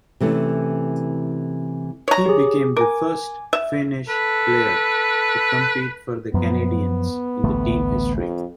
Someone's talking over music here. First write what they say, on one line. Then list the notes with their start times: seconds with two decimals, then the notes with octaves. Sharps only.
He became the first Finnish player to compete for the Canadiens in team history.
0.20 C3 E3 A3 C#4
2.08 C#5 A#5
2.26 G4 G#4
2.77 A#4 G#5 D6
3.53 E5
4.09 A4 B4
6.34 F#2 F3 B3
7.44 A1 D2 A3
8.16 F2